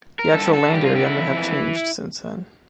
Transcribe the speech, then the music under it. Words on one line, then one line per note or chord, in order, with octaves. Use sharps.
The actual land area may have changed since then.
A#4
G2 A4
G4
D3 A4
G2 G4
F4
D3 G4
E4
F2
E3